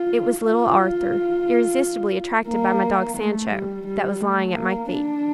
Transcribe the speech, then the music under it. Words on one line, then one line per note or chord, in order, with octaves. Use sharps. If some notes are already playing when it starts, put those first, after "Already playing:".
It was little Arthur, irresistibly attracted by my dog Sancho, that was lying at my feet.
Already playing: F4
F4
A#3
A3
G3
G3
A3
A#3
D4